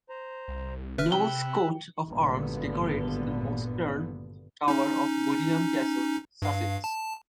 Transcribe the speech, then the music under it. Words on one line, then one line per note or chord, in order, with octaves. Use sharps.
Knolles' coat of arms decorates the postern tower of Bodiam Castle, Sussex.
C5 A#5
C2
F#1 B4 E5 F6
C3 G5 B5 E6 F#6
G#1 G2 A#2 D3 B3
C#4 D#4
G2 F5
A5